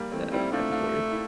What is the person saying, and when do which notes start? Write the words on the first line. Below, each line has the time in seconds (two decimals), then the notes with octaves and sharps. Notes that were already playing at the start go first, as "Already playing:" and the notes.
Hap happy for you.
Already playing: G3 A#3
0.12 E3 A3 C4
0.32 G3 C4 E4
0.52 A3 D4 F4
0.72 D4 F4
1.12 E4